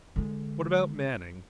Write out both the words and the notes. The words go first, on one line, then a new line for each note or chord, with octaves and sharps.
"What about Manning?"
D3 G#3